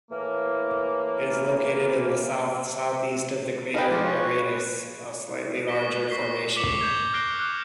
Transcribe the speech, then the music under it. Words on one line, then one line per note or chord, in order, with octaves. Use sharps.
It is located to the south-southeast of the crater Aratus, a slightly larger formation.
A2 E3 A#3
B3 D#4 B4 D#5 F5 G5
F3 G#3 D5
B4 C#5
C#6 A#6 B6 G7
C#6 B6 C7 G7
D6 B6 C#7 E7 F#7
G6 G#6 G7
F6 F#6 A#6 C7 D7 G7
D6 F6 F#6